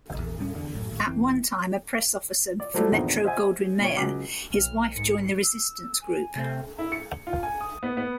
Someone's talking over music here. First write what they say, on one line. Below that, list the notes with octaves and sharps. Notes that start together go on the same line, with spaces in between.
At one time a press officer for Metro-Goldwyn-Mayer, his wife joined the resistance group.
A#1 E2
D1 A2 G3 C#4
F1 E2 D3
F#2 A2
A#1 D#2 A2
F#1 E3 C4
D5
F3 F#3 A3 E4 A4 D5
E2 G2 A#2 D#3 F3
C5 D#5 E5 F#5 G#5
A#2 C#5
C#2 F#3 D6 F6
B1 F6
G#2 C#7
E6
G#5
C3 A3 C4
E4
C#7
F4
G#5
D#6
B3
B3